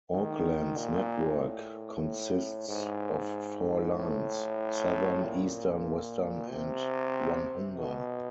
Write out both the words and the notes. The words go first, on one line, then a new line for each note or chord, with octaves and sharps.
Auckland's network consists of four lines: Southern, Eastern, Western and Onehunga.
D#3
A#2
A2
G#2
A2
A#2
C3
B2